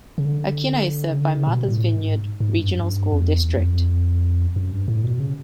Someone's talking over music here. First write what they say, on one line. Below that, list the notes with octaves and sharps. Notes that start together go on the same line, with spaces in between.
Aquinnah is served by Martha's Vineyard Regional School District.
C#3
D3
C#3
D3
C#3
A#2
B2
A2
G#2
G#2
G2
F#2
G2
F2
E2
F#2
F2
F#2
G2
A2
B2
C#3